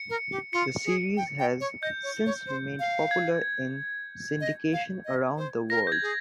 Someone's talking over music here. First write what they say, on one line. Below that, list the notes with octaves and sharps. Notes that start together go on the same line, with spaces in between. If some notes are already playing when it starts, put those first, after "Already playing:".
The series has since remained popular in syndication around the world.
Already playing: C#7
A#4
G4
F4 C#7
G#4
G5
G5
C#5
D#5 G6
C#5
C#5
C5
F5
G#6
D#5
F5
D#5
C5
A#4 A#6
G6
G#6
G#4